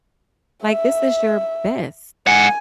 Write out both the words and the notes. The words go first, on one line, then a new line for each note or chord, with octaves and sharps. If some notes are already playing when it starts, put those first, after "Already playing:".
Like, this is your best
E5
G#3 F#5 G#5